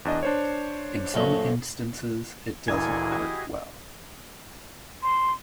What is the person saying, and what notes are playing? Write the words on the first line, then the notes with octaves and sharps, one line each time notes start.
In some instances it doesn't work well.
E2 D4 D#5
D4 C5 C#5
F#2 A#2 A3
D2 A#2 E3 E4 G#4 A4 D#5 G#5
F#4 G4
C6